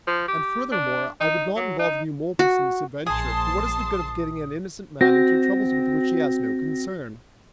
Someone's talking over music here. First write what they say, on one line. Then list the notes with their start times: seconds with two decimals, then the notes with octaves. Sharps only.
And furthermore, I would not involve Eumolpus in this adventure, for what is the good of getting an innocent man into troubles with which he has no concern?
0.07 F3
0.28 G4
0.72 D4
1.20 D#4
1.56 F#3
1.79 D#4
2.39 F#4
3.06 A#1 G#4 A5 C6 D#6
5.01 C4 F#4 A#6